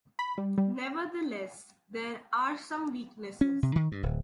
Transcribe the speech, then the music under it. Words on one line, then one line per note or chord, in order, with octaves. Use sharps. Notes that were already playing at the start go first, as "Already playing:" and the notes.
Nevertheless, there are some weaknesses.
B5
G3
G3
C#4
C3
D#3
G2
D1